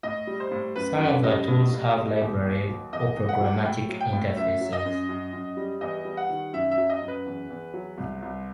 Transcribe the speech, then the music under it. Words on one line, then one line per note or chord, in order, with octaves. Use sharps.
Some of those tools have library or programmatic interfaces.
A2 D#5
G3
C5
A2
F#2 B4
F#2 B4
G3 D#5
A2
A2
G3
D#2
D#2
F#3
E2 D#5
E2
F#5
F#3
A2 G5
F#3
G5
A2
F#2 E5
F#3
D#5
F#2
F#2
F#2
G3
E2 D#5
G3
F#5
D#3
F#2 E5
E5
F#3
D#5
F#2
B4
E2
E2
F#3
C2
C2